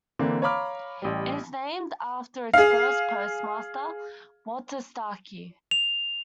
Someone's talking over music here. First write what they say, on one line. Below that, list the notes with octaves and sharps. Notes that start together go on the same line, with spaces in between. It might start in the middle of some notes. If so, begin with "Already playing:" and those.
It is named after its first postmaster, Walter Starkey.
D3 E3 A#3 C4
C#5 F5 A#5 B5 D6 F6
A1 G3
G#4 F5
F7